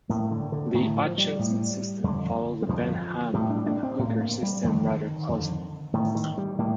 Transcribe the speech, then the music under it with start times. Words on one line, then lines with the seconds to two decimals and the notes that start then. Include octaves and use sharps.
The Hutchinson system follows the Bentham and Hooker system rather closely.
0.09 A2 A#3
0.31 D3
0.52 D3
0.74 A2 D#3
0.96 F3
1.18 G3
1.39 A2
2.04 F2 D3
2.62 G3
2.69 F2 D3 F3
3.34 A2 G3
3.50 D4
3.66 D4
3.83 C4
3.99 A2 A#3
4.21 A#3
4.42 G3
4.64 F2 D3 D#3
5.29 F2 D3
5.93 A2 D#3
6.15 D#3
6.38 G3
6.58 A2 A#3